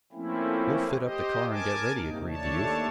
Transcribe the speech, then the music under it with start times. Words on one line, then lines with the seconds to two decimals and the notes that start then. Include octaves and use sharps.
"We'll fit up the car and get ready," agreed the 'youth.
0.13 F3 A3 A#3 C4 C#4 E4
1.00 G4 C5 D#5
1.51 A#4 G#5 A5 D6
1.97 G2 C3 A#3 D#4
2.28 D#2 A3 D4 C#5 A5